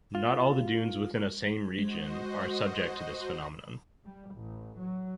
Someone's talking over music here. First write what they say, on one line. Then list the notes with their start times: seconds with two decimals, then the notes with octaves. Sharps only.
Not all the dunes within a same region are subject to this phenomenon.
0.15 F4
1.79 G#3 F#4 C5 D#5
4.05 G3
4.34 A1
4.79 F#3